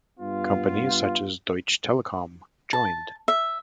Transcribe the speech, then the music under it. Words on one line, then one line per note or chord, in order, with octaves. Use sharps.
Companies such as Deutsche Telekom joined.
G2 B3 F4
A5
E5